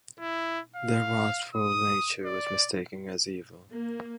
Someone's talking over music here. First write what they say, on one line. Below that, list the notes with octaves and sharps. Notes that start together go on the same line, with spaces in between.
Their wrathful nature was mistaken as evil.
E4
F5
D#6
D5
A#3